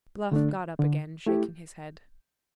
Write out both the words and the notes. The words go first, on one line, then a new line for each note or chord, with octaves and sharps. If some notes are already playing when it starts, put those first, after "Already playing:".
Bluff got up again, shaking his head.
D3 A3 D4
D3
A3 E4 G4